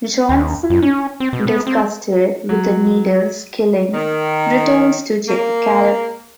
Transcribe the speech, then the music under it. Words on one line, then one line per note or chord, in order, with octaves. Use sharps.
Johnson, disgusted with the needless killing, returns to Caleb.
D#2
F#2
C#4
C4
B2
B3
C4
F#3
D#3
A#3